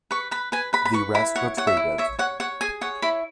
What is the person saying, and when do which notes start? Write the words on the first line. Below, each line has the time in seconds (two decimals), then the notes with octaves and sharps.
The rest retreated.
0.11 B4 C#6
0.31 B4 B5
0.52 B4 G#5
0.73 B4 B5
0.85 B5
0.94 B4 C#6
1.14 E4 B5
1.36 C#5 F#5
1.57 C#5 F#5
1.67 E5
1.77 E4
1.98 C#5 E5
2.19 C#5 F#5
2.40 C#5 F#5
2.61 G#4 G#5
2.81 C#5 F#5
3.02 E4 B5